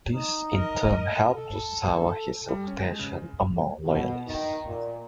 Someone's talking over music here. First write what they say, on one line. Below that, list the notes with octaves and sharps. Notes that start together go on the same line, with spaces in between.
This in turn helped to sour his reputation among Loyalists.
D#4
A#4 D#5
A4
G3
C#4
G#3
C#3
B2
D#3
A#2